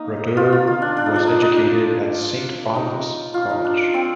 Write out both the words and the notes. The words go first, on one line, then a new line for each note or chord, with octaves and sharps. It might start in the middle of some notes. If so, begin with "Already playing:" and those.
Brodeur was educated at Saint Boniface College.
Already playing: A#3 D#4
F4
F4
F4
D4
D4
D#4
D4
D#4
D#4
D4
D#4
F4
D#4
D4
C4